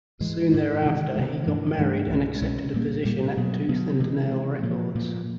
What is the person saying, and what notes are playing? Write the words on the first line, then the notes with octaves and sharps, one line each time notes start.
Soon thereafter he got married and accepted a position at Tooth and Nail Records.
G#2 E3 G#3
G#2 E3 G#3
C3 D#3 G#3
C3 D#3 G#3
G2 E3 A3 D4
G2 E3 A3 D4
C2 B2 G#3 C#4
C2 B2 G#3 C#4
A#2 G3 A#3
A#2 G3 A#3
B2 F#3 B3
B2 F#3 B3
C3 E3 G#3
C3 E3 G#3
A#2 F3 A#3
A#2 F3 A#3